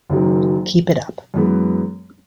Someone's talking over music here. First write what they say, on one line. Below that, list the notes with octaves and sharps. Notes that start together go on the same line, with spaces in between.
Keep it up!
F#1 F#2 D#3 F#3
F#2 E3 G#3 B3